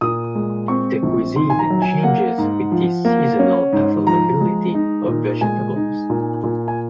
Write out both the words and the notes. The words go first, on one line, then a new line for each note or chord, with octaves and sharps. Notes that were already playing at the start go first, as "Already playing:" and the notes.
The cuisine changes with the seasonal availability of vegetables.
A#2 D#6
G#3
C4 C#6
A#1
D#3 C6
G#5
A#5
F#3
G#5
A#3 F#5
G#2
F3
A#3
C#4
G#2
F3 A#5
G#3
D#4
A#2
G#3 G#5
D#4
A#2
A#2
G#5